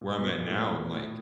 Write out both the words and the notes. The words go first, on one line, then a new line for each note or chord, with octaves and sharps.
where I'm at now and, like,
A#2
B2
A#2
A#2
A2
A2